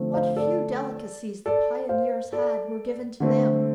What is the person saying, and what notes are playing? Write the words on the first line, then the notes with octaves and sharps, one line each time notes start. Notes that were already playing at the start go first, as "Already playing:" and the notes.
What few delicacies the pioneers had were given to them.
Already playing: D3 F3 A3 C4
C5 F5
A4 D5
A4 D5
C5 F5
A4 D5
D3 A3 C4